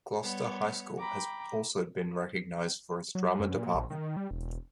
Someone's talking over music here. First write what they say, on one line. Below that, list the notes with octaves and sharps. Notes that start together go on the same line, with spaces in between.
Gloucester High School has also been recognized for its drama department.
G3 B3 C#5
G5 A#5 B5 D6
F#3
F#2
A#2
A#1
D#3
G3
E1